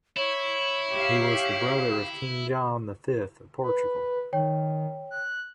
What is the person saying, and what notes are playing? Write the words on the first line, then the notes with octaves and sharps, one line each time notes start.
He was the brother of King John the Fifth of Portugal.
E4 C#5
G4 F5
B4
D#3 C#5 G5
F#6